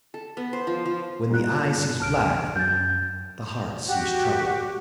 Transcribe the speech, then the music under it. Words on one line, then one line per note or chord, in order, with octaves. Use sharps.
When the eye sees black, the heart sees trouble.
A4
B3
C5
F3
F3
G2 F4 F#6
C2 A5 F6 D7
F#2 G6 A6
F#4 G4